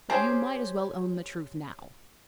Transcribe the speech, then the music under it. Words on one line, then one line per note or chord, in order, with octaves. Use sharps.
But you might as well own the truth now.
C4 C#4 G4 G#4 C5